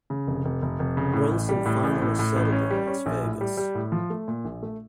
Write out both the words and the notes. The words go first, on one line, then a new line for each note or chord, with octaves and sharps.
Brunson finally settled in Las Vegas.
C#3
F1
F1
F1
F1
C#3
A2
A1
G3
A2
A1
A2
A2
A1
C#4
G3
C#4
A#1
A2
G3
G3
A2
F3
A3
A#2
A#1
A3